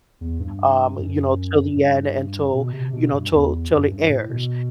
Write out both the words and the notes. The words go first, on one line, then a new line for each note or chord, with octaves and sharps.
um you know, till the end until you know, till till it airs.
E2
G2
F#2
G2
B2
C3
B2
G2
E2
F#2
G2
A2
B2